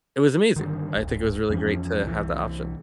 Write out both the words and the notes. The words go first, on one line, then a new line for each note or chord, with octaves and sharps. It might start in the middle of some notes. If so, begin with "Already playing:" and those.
It was amazing. I think it was really great to have the option.
G2 D3 D#3
D1 G#1
F2 E3 F3 C#4
C2 E3